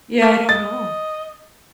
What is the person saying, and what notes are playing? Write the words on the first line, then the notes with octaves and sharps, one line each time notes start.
Yeah, I don't know.
A#3
D#5 A6